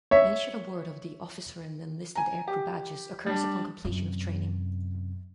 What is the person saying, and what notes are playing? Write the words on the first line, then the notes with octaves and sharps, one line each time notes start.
Initial award of the Officer and Enlisted Aircrew Badges occurs upon completion of training.
C#5 E5
G#5 A#5
G4
G3 D4
F#2 C3